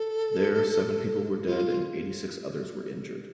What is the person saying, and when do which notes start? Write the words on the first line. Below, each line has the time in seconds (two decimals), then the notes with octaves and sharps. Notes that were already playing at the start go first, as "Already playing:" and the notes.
There, seven people were dead and eighty-six others were injured.
Already playing: A4
1.46 F4